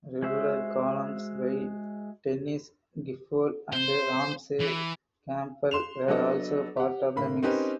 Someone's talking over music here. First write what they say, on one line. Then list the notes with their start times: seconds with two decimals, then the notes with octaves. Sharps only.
Regular columns by Denis Gifford and Ramsey Campbell were also part of the mix.
0.22 G#3 F#4 C5 E5
3.73 C5
4.60 E3
5.71 C6 E7 F7
6.08 F#3 B3 D4 A4 D#5
6.77 G4 F#5
7.16 A2 D3 A#3 B5
7.43 C4 C#4 D#4 G4 A#4 B4